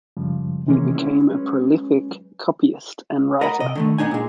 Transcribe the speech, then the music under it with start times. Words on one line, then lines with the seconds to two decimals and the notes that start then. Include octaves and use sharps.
He became a prolific copyist and writer.
0.17 F#2 C#3 F3 G3 G#3
0.66 C3 D#3 E3 G#3 A#3 C#4
0.93 G#3 C4 C#4 E4
1.30 F#3 G#3 C#4 B4
3.41 A#4 D#5 F#5 A#5 B5
3.60 C3 D#5
3.75 D3 D#3 A3
3.98 B3 D4 D#4 G#5
4.11 A#2 G#3